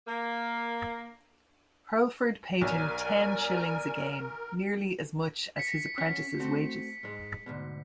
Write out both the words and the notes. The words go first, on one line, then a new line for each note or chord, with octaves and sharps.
Hurlford paid him ten shillings a game, nearly as much as his apprentice's wages.
A#3
B1 A#4 D5 G#5
B6 C#7
C#4 F#5 B6
A3 C4 F#4
G#2 G#3
D2 G#2 B2